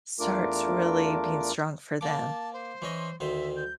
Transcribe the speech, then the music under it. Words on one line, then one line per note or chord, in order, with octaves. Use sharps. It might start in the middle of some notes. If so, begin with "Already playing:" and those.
starts really being strong for them.
E2 A3 D4 F4 A#4 D6
A#3 A5 D6
C5
E3 C#4 D#5
D2 D#3 C5 E5
G6